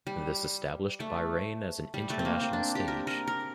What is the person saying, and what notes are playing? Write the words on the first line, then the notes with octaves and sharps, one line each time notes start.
This established Bahrain as an international stage.
G3
A3
G3
A3
C4
A#3
C4
D4
G4
A#4
A#4
A#4